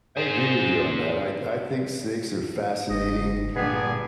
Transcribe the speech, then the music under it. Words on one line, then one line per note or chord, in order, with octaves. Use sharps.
I agree with you on that, I t I think snakes are fascinating.
G#4 C5
F#1 D#5
G2 A#2 D3 B3 G#4